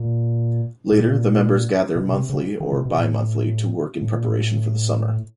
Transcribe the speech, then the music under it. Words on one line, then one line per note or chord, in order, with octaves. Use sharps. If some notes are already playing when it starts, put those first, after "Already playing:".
Later, the members gather monthly or bimonthly to work in preparation for the summer.
Already playing: A#2
A#2
B2
C3
C#3
D#3
C3
B2
A2
A2
A#2
A2